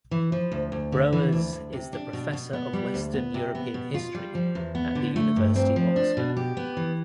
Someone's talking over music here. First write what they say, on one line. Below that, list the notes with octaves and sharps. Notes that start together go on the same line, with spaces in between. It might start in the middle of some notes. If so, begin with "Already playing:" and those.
Broers is the Professor of Western European History at the University of Oxford.
E3
F3
D2
D2
D3
E3
D2
D2
C3
D4
B2
B2
B3
G3
D2
B3
C3
B3
B2
F4
G3
F3
E2
B3
D3
A3
G2
C4
F3
D4
B2
G4
B3
E3